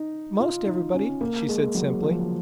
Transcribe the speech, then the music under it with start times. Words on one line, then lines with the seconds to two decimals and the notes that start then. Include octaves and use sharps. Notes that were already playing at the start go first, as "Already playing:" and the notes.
"Most everybody," she said simply.
Already playing: D#4
0.40 F4
0.66 D#4
0.94 C#4
1.21 A#3
1.49 G#3
1.75 F#3
2.03 F3